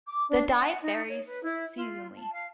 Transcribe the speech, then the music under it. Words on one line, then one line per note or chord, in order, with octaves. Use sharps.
The diet varies seasonally.
D6
D4
F#5
D#4
C#5
B4
E4
F4
A5
F5